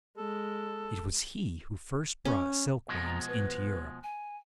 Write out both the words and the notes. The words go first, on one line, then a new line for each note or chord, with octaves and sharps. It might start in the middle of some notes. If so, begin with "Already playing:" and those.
It was he who first brought silk-worms into Europe.
G#3 A4
C#4
B2 F3 G#3
A#5
B4
G#5